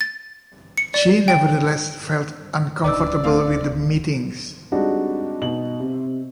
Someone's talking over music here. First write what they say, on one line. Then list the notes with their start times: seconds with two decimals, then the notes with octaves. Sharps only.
She nevertheless felt uncomfortable with the meetings.
0.01 A6
0.78 C#7
0.94 D5
1.28 G5
2.84 D1 C#2 D4 D#4 B4 D5 D6 E6
3.24 A3 C4 F5
4.72 G3 G#3 C4 D4 D#4 F#4
5.42 B2 D#4 F#7
5.80 C3